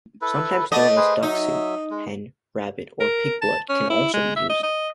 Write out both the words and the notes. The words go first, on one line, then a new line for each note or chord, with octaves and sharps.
Sometimes known as "duck soup", hen, rabbit or pig blood can also be used.
E4 A4 B4
A3 B3 D5 D#5 A5
G#4 B4 C5
F#3 D#4 E5
G#3
A#4
A5
C#4
E4
G#3
E5
D#5
D#5